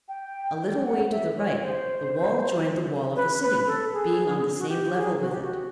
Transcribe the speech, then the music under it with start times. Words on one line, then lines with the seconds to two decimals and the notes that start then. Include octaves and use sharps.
A little way to the right the wall joined the wall of the City, being on the same level with it.
0.08 G5
0.85 F#5
1.11 E5
1.37 C#5
1.62 C5
3.16 B4
3.42 B4
3.67 A4
3.93 G#4
4.59 F#4
4.69 G4
4.95 G#4
5.21 F#4
5.32 G4
5.42 F#4